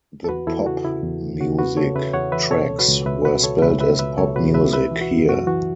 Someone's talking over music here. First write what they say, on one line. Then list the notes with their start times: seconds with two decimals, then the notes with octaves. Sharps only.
The "Pop Muzik" tracks were spelled as "Popmuzik" here.
0.24 A4
0.29 E2 F#4 B4
0.47 E2 E4 A4
0.66 C#3 F#4
0.84 C#3 E4
1.03 E2
1.21 E3
1.40 C#3 F#4
1.58 E2 F#4 B4
1.77 C#3 A4 C#5
1.95 C#3 B4 E5
2.13 E2 C#5 F#5
2.32 E3 B4 E5
2.51 B2 A4 C#5
2.70 C#2
2.79 F#4 B4
2.88 C#2
3.06 C#2 B4 E5
3.25 B2 F#4 B4
3.44 C#2 A4 C#5
3.62 C#2 B4 E5
3.80 C#2 B4 E5
3.99 C#2 B4 E5
4.17 C#2 A4 C#5
4.36 B2 F#4 B4
4.54 C#2 B4 E5
4.73 C#3 B4 E5
4.91 E3
5.01 F#4
5.11 F#2
5.29 F#2 F#4
5.47 E3 F#4